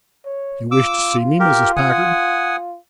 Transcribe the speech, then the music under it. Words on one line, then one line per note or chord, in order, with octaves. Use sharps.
"You wish to see me, Mrs. Packard?"
C#5
F4 D6 E6
G4 A#4
F#5 G#5 D#6